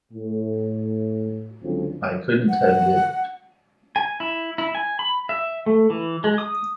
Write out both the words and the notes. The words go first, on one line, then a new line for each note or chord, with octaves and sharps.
I couldn't have lived.
A2
C#2 D3 F3 F#3 C4
F#5
G#5
E4
E4
G#5
B5
E5
A3
E3
G#3
D#6